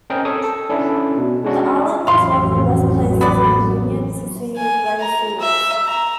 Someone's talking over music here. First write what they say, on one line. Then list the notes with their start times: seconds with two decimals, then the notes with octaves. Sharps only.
The island is one of the best places in Gwynedd to see grey seals.
0.10 C4 C#4 A#4 D#5 G5
0.25 A4 C#5 D#6
0.44 A4
0.70 C#4 D4 E4 A4
1.18 B2
1.44 G#3 C#4 D4 F#4
2.07 A1 F2 F#3 F5 C6
3.21 B3 D5
4.57 G#5
5.00 A#5
5.40 E5
5.86 A#5